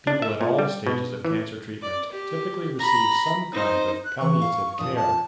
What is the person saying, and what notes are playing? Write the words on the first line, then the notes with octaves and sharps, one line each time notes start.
People at all stages of cancer treatment typically receive some kind of palliative care.
D4
E5
A#2
G3
B2
E3
D5
G4
A#5 B5
D#4 C5
F#6
D3 E3 C#6
F5
A#2 F3 D4 D#6
A5